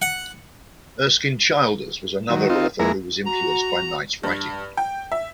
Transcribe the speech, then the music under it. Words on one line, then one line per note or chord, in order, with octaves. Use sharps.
Erskine Childers was another author who was influenced by Knight's writing.
F#5
D#3 F#3
C4 D#4 F4
F2 G#3 A#3 E4 A#5
F#4 A#5
G2
G5
E5